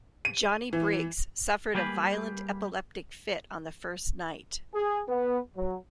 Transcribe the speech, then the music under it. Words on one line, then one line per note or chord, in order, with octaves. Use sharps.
Johnny Briggs suffered a violent epileptic fit on the first night.
D#7
E3
G3 A#3 G4 G#4 B4
G#4
B3
F#3